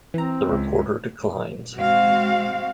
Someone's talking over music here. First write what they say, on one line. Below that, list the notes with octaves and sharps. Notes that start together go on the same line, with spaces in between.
The reporter declines.
E3 C4 A#5
C#2
G#3 C4 F#4 F5